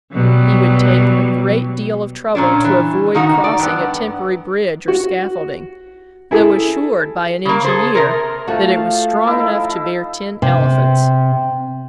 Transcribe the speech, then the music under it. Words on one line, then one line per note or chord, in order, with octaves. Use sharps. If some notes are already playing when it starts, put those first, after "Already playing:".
He would take a great deal of trouble to avoid crossing a temporary bridge or scaffolding, though assured by an engineer that it was strong enough to bear ten elephants.
B2 F#3 G3
A#2 C#4 D4
E3
D#3 D#4 F#4 F#5
D5
G2 B3
F#4
E4 G#4 A4
C#3 A#3
G#4 A4 C5
C3 A#4
F3 A3 F#4 A4 F5 A5
D#4 E4
C3